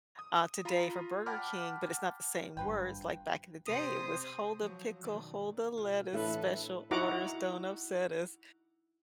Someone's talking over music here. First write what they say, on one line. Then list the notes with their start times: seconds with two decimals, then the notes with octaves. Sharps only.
uh, today for Burger King, but it's not the same words, like, back in the day, it was: Hold the pickle, hold the lettuce, special orders, don't upset us.
0.19 D#6
0.65 F4 A#5 B5 D#7
1.26 F#5 G5 A5 B5 D6 F6
2.57 G#1 G2 F3 B4 G5
3.67 C3 C5 D#6
4.62 F3 F#3
5.05 B1 D#3 D5
5.78 B1 F4
6.13 A2 E3 D4 E4 A4 B4
6.91 D#4 E4 F#4 F#5 A#5 D6